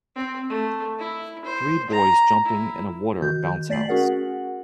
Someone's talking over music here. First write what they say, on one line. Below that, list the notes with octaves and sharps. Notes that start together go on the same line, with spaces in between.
Three boys jumping in a water bounce house.
C4
A3
E4
C5
A#5
E4
D#3 F#4 G6
A3 D5 A6 B6 C7 F#7
C#4 F#4 G#4 A#4 F#5